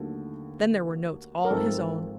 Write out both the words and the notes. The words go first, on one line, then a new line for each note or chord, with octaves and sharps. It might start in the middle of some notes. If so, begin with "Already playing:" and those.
Then there were notes all his own.
Already playing: D#2 D3 F#3 A3
A#4
G#1 G#2 F3 G#3 C4 A4